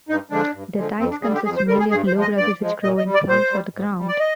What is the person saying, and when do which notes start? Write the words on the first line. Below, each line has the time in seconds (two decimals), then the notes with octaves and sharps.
Their diets consist mainly of low grasses which grow in clumps on the ground.
0.09 G2 D#4
0.31 D3 F3 G#3 D4
0.54 G2
0.77 D3 F3 G#3
0.99 F2 C4
1.11 D4
1.23 D3 G3 G#4
1.35 G4
1.45 F2 G#4
1.57 C5
1.68 D3 G3 A#4
1.79 G#4
1.91 G2 G#4
2.07 C5
2.14 F3 G#3
2.22 D#5
2.36 G2 D5
2.60 F3 G#3
2.83 A#2 D#5
2.98 D#5
3.05 G3
3.14 D5
3.28 A#2 C5
3.51 G3
3.74 G#2
3.97 G3
4.08 D5
4.20 D#5